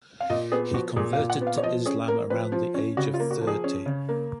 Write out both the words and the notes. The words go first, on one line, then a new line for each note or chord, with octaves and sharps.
He converted to Islam around the age of thirty.
F5
A#2 D#5
B3 G#4
F3 F#4
A#2 G#4
F5
A#2
F#5
B3
F5
C#5
F3 D#5
C#4 G#4
A#3 A#4
F3 B4
F3
C#4
C#3 F#4
F4
A#3
F#4
F3
G#4
C#4
C#3
A#3